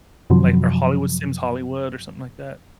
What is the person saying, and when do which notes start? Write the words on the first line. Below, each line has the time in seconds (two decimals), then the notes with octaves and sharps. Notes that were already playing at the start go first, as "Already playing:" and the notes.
Like a Hollywood Sims Hollywood or something like that?
0.30 F#2 C3 D#3 F3 F#3